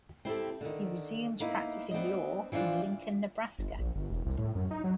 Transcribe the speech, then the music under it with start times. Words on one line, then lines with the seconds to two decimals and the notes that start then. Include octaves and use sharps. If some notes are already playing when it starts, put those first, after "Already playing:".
He resumed practicing law in Lincoln, Nebraska.
0.25 C4 E4 G4 A4
0.61 D3 D#3
1.40 A#3 B3 D#4 E4
1.91 B3 C4 D4 D#5
2.52 E3 F3 B3 D4 F4
3.59 G1
3.79 A#1
3.95 G1
4.10 E1
4.26 C2
4.38 A2
4.55 F#2
4.71 D#4
4.84 F#3